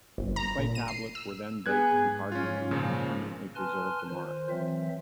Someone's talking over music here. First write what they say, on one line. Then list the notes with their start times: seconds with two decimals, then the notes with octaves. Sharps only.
The clay tablets were then baked to harden them and permanently preserve the marks.
0.18 G1
0.36 A#5
0.58 A#2
0.75 D#7
0.88 C7
1.15 E6
1.66 B3 G#4 F#6 G#6
1.97 G#2
2.32 C#4 F4
2.71 A#2 C#3 F3
3.55 B4 G#5 A5 C6 F6
4.08 D#3 F4 C5
4.50 E3 F#3 C4 E5